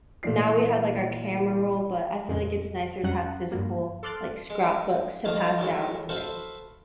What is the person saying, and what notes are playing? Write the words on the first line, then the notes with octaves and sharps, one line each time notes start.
now we have, like, our camera roll, but I feel like it's nicer to have physical, like, scrapbooks to pass down to, like,
A#2 E3 D5 C7
F2 A#2 C#3
F2 F#3 C#4 F#5 F#6
G2 A#3
A4 C6 D6 F6 F#6 A6
G#3
F2 D#3 F5 A5 A#5 D#6
D#3 E3 F#3 G#3 A3
F#4 A4 B4 C5 E5 F5